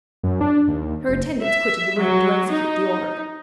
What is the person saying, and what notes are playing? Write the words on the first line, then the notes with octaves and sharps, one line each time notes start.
Her attendants quitted the room to execute the order.
F#2
D4
D#2
F#1
E5
F#3
D#4